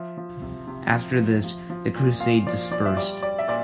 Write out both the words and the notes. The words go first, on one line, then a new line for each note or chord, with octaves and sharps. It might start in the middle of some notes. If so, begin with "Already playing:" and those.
After this, the crusade dispersed.
Already playing: F3 E5
F3
C3
C3
F3
F3
F3
F3
A#2
A#2 F5
F3 D5
F3 D5
E5
G3 D5
G3 D5
E5
A#2 D5